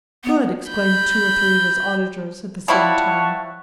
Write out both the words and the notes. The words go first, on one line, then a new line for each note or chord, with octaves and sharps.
"Good!" exclaimed two or three of his auditors at the same time.
B3
B5 G6
F3 G3 E4 C#5 F#5 A5